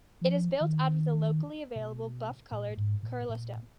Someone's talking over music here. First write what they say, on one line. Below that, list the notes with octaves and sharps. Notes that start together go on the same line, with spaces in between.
It is built out of the locally available buff coloured Kurla stone.
F3
D#3
B2
A#2
G#2
A#2
A#2